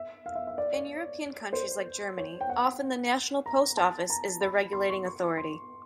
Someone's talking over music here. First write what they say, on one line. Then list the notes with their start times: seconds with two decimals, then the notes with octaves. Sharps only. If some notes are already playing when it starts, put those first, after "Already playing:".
In European countries like Germany often the national Post Office is the regulating authority.
Already playing: E5
0.26 F5
0.35 E5
0.47 E5
0.58 D5
0.73 C#5
1.53 C5
2.17 C#5
2.41 G5
2.49 F#5
3.46 A#5
3.77 A5
4.10 A#5
4.41 B5
4.72 C6
4.90 C#6
5.05 C#6
5.37 C6